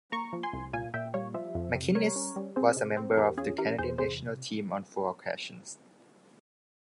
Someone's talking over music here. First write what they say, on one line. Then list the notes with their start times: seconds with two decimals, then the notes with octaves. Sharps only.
MacInnis was a member of the Canadian national team on four occasions.
0.12 A#3 A#5 C#6
0.33 F3
0.43 G#5 C6
0.53 C2
0.73 A#2 F5 G#5
0.94 A#2 E5 G5
1.14 G3 C#5 F5
1.34 F3 C5 E5
1.55 F2
1.75 C3
1.95 G3 A#4 C#5
2.16 C#4
2.36 G3
2.56 C4 G#4 C5
2.77 C3
2.97 C4
3.17 E2 G4 A#4
3.37 C#4 F4 G#4
3.58 E3 G4 A#4
3.78 E2 G#4 C5
3.98 C3 G#4 C5